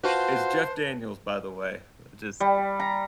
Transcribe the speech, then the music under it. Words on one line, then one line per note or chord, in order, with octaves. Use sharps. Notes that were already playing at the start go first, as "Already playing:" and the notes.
it's Jeff Daniels, by the way. Just,
F4 F#4 B4 C5 A5
G3
A#5